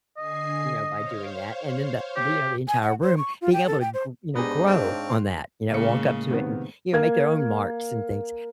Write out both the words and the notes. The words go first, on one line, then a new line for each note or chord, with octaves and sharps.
you know, by doing that, and then the the, you know, the entire room being able to gr you know, grow on that, you know, walk up to it and, you know, make their own marks and things.
D3 D#5 G#5 C7
C5 C#5 F5
G4
G#5
F#5
C5
C#6
F4
G5
A4
G5
C5
G#2 B3 D4 D#4 G4 G#4
C4 C#5 F5
C6
A2 C#3 G#3 A#3 C#7
C3 D#3 B3
A#3 G#6